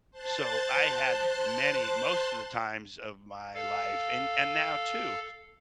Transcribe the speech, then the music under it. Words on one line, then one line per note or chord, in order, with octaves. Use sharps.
so I had many most of the times of my life, and and now too,
C5 A5 C6 F#6 A6
A4 F5